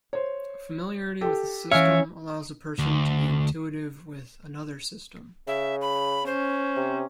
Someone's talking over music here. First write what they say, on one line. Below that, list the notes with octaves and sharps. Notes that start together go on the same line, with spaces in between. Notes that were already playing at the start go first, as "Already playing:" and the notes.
Familiarity with a system allows a person to be intuitive with another system.
C5 C#5
G4 A4
E3 C#4 C#5 E5 F5 G#5 F6
D2
C#3 E5
B5
C#4 C5
C3